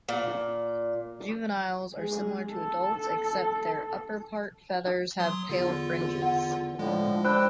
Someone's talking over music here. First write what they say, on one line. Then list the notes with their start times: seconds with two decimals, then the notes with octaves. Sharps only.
Juveniles are similar to adults except their upperpart feathers have pale fringes.
0.09 A#2
1.93 G#3 G#4
2.52 A4
5.19 F#3 C6 D#6
5.49 E2 D3 F4
6.22 F#5
6.79 A2 D3 F3 G#3
7.24 D4 C5 G5 B5 E6 F#6